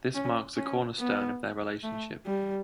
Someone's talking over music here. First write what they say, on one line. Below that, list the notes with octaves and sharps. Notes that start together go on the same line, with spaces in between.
This marks a cornerstone of their relationship.
C#4
C#4
B3
A3
G3